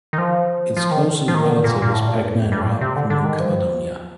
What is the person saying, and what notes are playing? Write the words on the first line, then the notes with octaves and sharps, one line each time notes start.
Its closest relative is "Pycnandra" from New Caledonia.
D#3
F3
F3
D#3
F3
D#3
D3
A#2
A#2
A2
A#2
G2
A2
F2
G2
A2
A#2
C3
D3
D3
D#3
F3